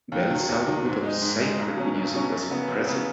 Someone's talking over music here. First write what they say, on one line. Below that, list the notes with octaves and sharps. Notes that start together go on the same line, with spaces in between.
Belli's output of sacred music was impressive.
D#2
D#3 F#3
D#2
D#3 F#3
G#2
G#3 D#4
G#2
G#3 D#4
B1
B2 F#3 C#4
B1
B2 F#3 C#4
F#2
C#3 B3
F#2
C#3 B3